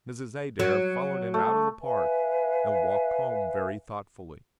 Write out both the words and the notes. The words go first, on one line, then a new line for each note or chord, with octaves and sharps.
Mrs. Adair followed him out of the park, and walked home very thoughtfully.
F#3
A3
B4 E5 F5 G#5